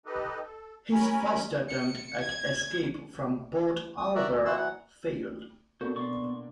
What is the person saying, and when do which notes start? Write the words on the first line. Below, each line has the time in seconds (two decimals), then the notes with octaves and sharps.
His first attempt at escape from Port Arthur failed.
0.06 D#4 G4 A4 B4 D#5
0.43 A4
0.92 C#4 A#4 G#5 B5
1.69 C#7
2.21 G#6
3.97 D#6
4.16 F#4 A#4 D5 E5 A#5
4.29 D2
4.45 D#3 E3 A#3 F#4 C5 E6
4.57 E3 F#3 F#5
5.81 A#2 B3 C4 D4 F#4 A4 A#4 C5
5.96 B2 B3 D5 C6 C#6